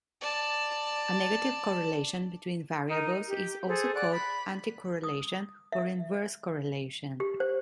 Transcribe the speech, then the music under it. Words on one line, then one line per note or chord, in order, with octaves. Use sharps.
A negative correlation between variables is also called anticorrelation or inverse correlation.
D5 A5
D#4 A#4
G4
G#4 A4 C5
D5 F#5 F#6
B5
D#6
E5
G4
C5